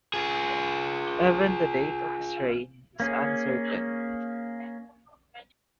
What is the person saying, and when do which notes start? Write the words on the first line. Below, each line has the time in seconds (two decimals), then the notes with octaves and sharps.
Even the date of his reign is uncertain.
0.14 F4 G#4
3.00 A#3 C#4 G#4